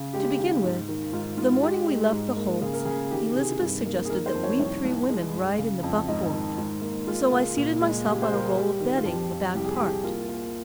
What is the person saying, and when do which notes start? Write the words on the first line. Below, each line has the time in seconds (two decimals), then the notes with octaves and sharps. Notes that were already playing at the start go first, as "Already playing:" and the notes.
To begin with, the morning we left the Holts, Elizabeth suggested that we three women ride in the buckboard, so I seated myself on a roll of bedding in the back part.
Already playing: C#3
0.13 G#3 G4
0.38 D#2
0.64 G#2
0.88 D#3
1.13 G#2 F4
1.37 G#2 F4
1.62 G#3 G4
1.87 G#3
2.12 G#2
2.37 A#3
2.61 C#3 G#4
2.73 A#4
2.85 C#3 G#4
3.11 D#3 G4
3.35 C3 G#4
3.60 G2
3.86 A#3
4.05 G#4
4.10 D#3 A#4
4.26 C5
4.34 F2
4.43 C#5
4.59 C2 C#5
4.85 C2
5.09 G#3
5.33 G2
5.58 C#3
5.83 F2
6.08 G#2 D#5
6.33 D#3
6.58 G#2
6.82 A#3
7.07 G#3 F4
7.32 C#2
7.57 A#2
7.81 G#3
8.05 C#2 G4
8.22 C5
8.31 C#2 A#4
8.44 G#4
8.55 G3 G4
8.80 D#3
8.97 F4
9.05 F2 G4
9.30 F2
9.54 C2 G4
9.65 G#4
9.76 G4
9.79 C2
10.03 A#3 F4
10.29 A#3